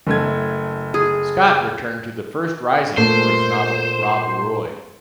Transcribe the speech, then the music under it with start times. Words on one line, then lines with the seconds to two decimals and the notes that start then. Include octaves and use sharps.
Scott returned to the first rising for his novel "Rob Roy".
0.07 F#1 A3 G#6
0.94 G#4
2.97 A#2 A3 D4 C5